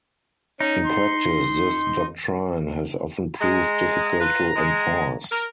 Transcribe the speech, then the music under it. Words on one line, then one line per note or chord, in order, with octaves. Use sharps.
In practice this doctrine has often proved difficult to enforce.
C#4 D#4
C6
G#3 A#5
F4 B4
G#3
A#4